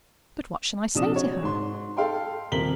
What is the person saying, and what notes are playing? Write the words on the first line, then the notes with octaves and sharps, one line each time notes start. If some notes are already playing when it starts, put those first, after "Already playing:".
"But what shall I say to her?"
A#1 C3 F3 D4 D#6 E7
F#4 C#5
G#2 C6
A4 F5 G5 C6
D#1 C3 A#4 B6 F#7 G7